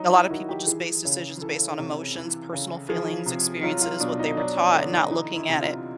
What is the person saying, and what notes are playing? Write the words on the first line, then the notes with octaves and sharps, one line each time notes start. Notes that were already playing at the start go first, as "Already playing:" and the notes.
a lotta people just base decisions based on emotions, personal feelings, experiences, what they were taught, and not looking at it,
Already playing: F#3 D#4
E4
D#3 F#4
G4
E3 G#4
C#3
E3 A4
C3
E3
C#3
F3 G#4
C3
F#3 F4
F4
B2 D4
D#4
F#3 D4
C#4
D3 D4
D#4
E3 D#4
E4
C3
F4